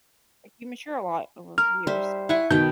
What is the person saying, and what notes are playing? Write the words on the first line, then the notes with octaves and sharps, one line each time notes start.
Like, you mature a lot over years.
A#4 F6
G3 C5 E5
E4 F#5 G#5 C#6
B2 D#3 B4 G5 G6